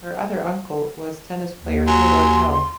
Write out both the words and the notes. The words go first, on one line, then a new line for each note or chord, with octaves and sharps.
Her other uncle was tennis player Theodore Pell.
D#2
F#3 G#5 C6